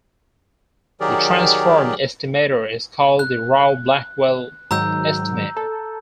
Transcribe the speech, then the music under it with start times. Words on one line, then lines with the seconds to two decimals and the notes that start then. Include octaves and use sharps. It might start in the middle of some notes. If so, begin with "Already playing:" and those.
The transformed estimator is called the Rao-Blackwell estimator.
1.01 D#3 F#3 G4 G#4 A#4 D5
3.19 F#6
4.71 G#2 D#3 F#3 A#5 E6 G6
5.57 A4